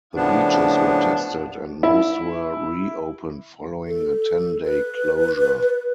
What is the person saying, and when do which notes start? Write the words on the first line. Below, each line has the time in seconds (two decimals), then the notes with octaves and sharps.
The beaches were tested and most were reopened following a ten-day closure.
0.15 A2 C#3 F3 B3 D4
1.83 E4
3.87 A4
4.65 B4